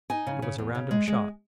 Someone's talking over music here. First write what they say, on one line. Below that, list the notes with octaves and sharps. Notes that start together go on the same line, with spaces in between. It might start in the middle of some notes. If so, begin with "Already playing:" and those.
It was a random shot.
D#4 G#5
C#3
C#3
E2
C#3
G#3
G#3